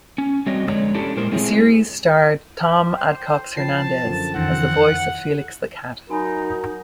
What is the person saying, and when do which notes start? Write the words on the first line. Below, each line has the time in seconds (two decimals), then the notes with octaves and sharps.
The series starred Thom Adcox-Hernandez as the voice of Felix the Cat.
0.18 C#4
0.46 G3 C4 F#4 C#5 D#5
0.66 F2 D3 G#3 C#5 D5
0.94 C#4 D4 E4 G4 A4
1.16 A#2 G#3 A#4 C5
1.32 G#3 C4 E4 G#4 C#5
2.60 G4
2.97 C5 G5
3.56 F3 A5 C7
4.05 F#2 D3 F3
4.35 F2 D#3 E3 C4 F#5
6.10 F#3 D#4 F#4 A#4 G#5 B5